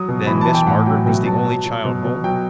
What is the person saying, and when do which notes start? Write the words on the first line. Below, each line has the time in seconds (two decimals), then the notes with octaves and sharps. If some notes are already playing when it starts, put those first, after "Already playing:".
"Then Miss Margaret was the only child home?"
Already playing: F#3 D#6
0.08 B2
0.27 E3 B5
0.41 A5
0.47 E3
0.55 G5
0.67 A2 F#5
0.86 F#3 G5
1.06 B2 G5
1.26 F#3 A5
1.45 F#3
1.66 F#3
1.85 B2
2.04 B2
2.24 F#3 G5